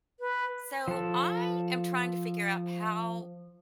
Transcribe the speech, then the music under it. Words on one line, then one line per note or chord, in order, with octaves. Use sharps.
So, I am trying to figure out how
B4
F3 A4